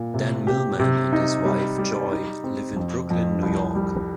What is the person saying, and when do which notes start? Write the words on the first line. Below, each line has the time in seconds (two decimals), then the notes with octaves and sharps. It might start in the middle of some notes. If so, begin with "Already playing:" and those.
Dan Millman and his wife Joy live in Brooklyn, New York.
Already playing: A#2
0.14 C3
0.47 G4
0.79 C3
1.13 D#4
1.45 G3
1.78 G3
2.11 D#4
2.44 C4
2.76 F2
3.10 F2
3.43 C2
3.75 G3